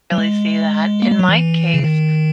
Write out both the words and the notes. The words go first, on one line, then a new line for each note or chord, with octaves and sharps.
Really see that. In my case,
F#3
G#3
A#3
G#3
F#3
E3
C#3
D#3